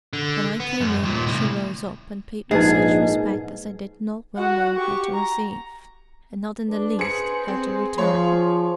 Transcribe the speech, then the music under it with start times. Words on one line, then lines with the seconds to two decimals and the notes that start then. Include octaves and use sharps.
When I came in, she rose up, and paid me such respect as I did not well know how to receive, and not in the least how to return.
0.13 D3
0.60 B3
0.80 F#2
1.03 D#2 A#2
1.26 C2 A2
2.51 A#1 G#2 D#4 G#4 B4 D#5
4.36 F#4 F#5
4.76 G4 C#6
5.14 A#5
6.69 D4 B4
6.99 G#4 C5 C#7
7.48 C4 G#4
7.98 F3 F4 C#5 C6